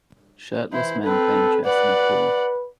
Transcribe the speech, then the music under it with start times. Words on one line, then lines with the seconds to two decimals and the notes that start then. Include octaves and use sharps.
Shirtless men playing chess in a pool.
0.73 E3 E4 C5
1.03 C4 A4 B4
1.65 B4 D5 F#5